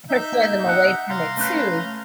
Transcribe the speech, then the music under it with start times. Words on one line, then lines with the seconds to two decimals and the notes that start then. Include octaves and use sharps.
"persuade them away from it too?"
0.09 D#4 E5 G6
0.32 A#3
0.68 F#5
1.10 C2 F5 A#5 C6
1.37 A3 C#4 B4